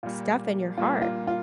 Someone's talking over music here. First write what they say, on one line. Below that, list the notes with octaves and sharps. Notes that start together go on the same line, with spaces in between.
stuff in your heart.
A#2 G3 A#3 F4
A#2 G3 A#3 F4
F4
F4